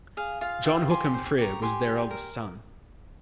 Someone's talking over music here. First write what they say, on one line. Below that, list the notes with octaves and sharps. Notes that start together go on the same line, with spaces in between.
John Hookham Frere was their eldest son.
G#4 F5
F4 F5
F4 E5 G5
G4 G#5 C6
C5
C#6
G4 A#5 C#6
G4 G#5 C6
G4
A#4